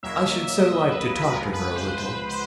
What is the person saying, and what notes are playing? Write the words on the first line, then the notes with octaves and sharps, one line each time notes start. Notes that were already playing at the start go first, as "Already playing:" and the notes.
I should so like to talk to her a little.'
E2 B2 F#3 A#3 E5
D#5
E5
B4
B4
C#2 C3 F3 G#3 B3 A#4
B4
C5
B4
C5